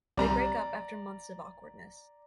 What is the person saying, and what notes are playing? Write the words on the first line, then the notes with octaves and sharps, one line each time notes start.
They break up after months of awkwardness.
C2 C3 G3 D5 A#5